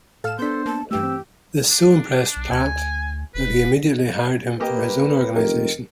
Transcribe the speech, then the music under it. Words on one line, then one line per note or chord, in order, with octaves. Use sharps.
This so impressed Pratt that he immediately hired him for his own organization.
A2 A4 F5 F6 E7
B3 D4 A4 C5 G6 B6
A#3 A5
G2 E3 A3 G4 E6
C4
D4
B1
D2 G#5
E1 B4
A#3 G4 B4 D#5
F1 D#3 A#4